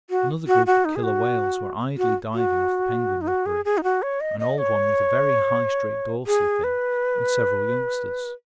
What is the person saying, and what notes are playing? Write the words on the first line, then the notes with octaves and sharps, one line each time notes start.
Another group of killer whales were idly diving off the penguin rookery; an old one with a very high straight dorsal fin and several youngsters.
F#4
F#4
F#4
D#4
G#4
F#4
F#4
F#4
D#4
F#4
G#4
G#4
D#4
F#4
C#5
D#5
D#5
C#5
G#4
B4